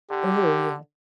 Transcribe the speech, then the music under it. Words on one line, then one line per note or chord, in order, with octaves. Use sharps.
Oh, yeah.
D3 G4